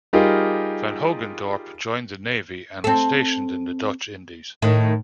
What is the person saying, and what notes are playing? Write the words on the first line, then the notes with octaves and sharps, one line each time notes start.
Van Hogendorp joined the navy and was stationed in the Dutch Indies.
G3 D#4 F4 G4 G#4 A#4
C4 A4
A2 D#3